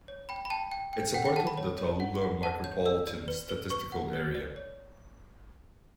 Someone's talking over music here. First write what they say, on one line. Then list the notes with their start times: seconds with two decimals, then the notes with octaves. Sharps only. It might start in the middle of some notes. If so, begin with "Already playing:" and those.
It is part of the Tallulah Micropolitan Statistical Area.
0.08 C#5
0.29 G5 B5
0.45 B5
0.50 G5 A5
0.71 G5
0.93 G5
1.14 F#5 G5
1.25 G5
1.36 F#5 A5
1.47 B5
1.57 C#5
1.78 C#5
2.00 F#5
2.22 F#5
2.43 F#5 A5
2.64 C#5 G6
2.85 D5 E6
3.07 D5
3.28 B4
3.49 B4
3.70 B4 C#6
3.92 F#5
4.13 B4
4.35 D5
4.56 C#5